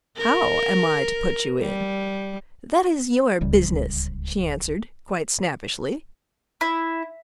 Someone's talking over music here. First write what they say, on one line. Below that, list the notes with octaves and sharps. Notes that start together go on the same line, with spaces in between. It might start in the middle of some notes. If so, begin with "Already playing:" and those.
"How am I to put you in?" "That is your business," she answered, quite snappishly.
A#4
G3
D1 C#2 G3
E4